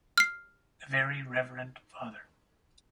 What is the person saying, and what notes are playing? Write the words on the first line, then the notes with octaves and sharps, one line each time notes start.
The Very Reverend Fr.
F6 C7